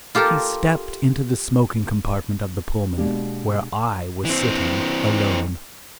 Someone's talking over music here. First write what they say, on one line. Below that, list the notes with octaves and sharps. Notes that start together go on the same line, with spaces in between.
HE STEPPED into the smoking compartment of the Pullman, where I was sitting alone.
F4 G4 A4 A#4
B2 G#3 A#3 D4 G4
E3 C4